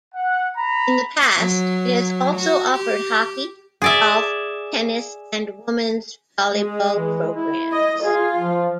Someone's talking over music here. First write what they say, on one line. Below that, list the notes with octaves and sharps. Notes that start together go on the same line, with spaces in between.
In the past, it has also offered hockey, golf, tennis, and women's volleyball programs.
F#5
A#5 B5
F#3
F#4
G4
G#4 D5 E5
G#3
E3
E4
D#5
F4 G#4
F3